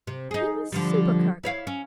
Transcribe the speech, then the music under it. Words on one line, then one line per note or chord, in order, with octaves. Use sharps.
"He was supercargo."
C3
D#4 G#4
D3 F3 G3
E4 C#5 F5
C#4